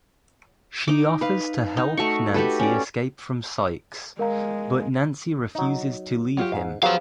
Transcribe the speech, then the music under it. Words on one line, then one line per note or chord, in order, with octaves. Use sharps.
She offers to help Nancy escape from Sikes, but Nancy refuses to leave him.
D#4 D6
B4 F5
D#4
A3 F#4 C#6
F#4 G4 A4 B4
C#4 D5
G#3 A#4 F5 A#5
F#3 D#4
F#3 F4 G4
G#2 F5
F#3 B3 G4 G#4 C5 F5